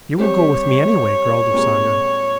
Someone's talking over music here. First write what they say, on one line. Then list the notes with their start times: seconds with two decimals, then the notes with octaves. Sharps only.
"You will go with me anyway," growled Usanga.
0.17 G3 C4 G4 C5 C#5
1.51 A#2 G#3 C4 G4 A#4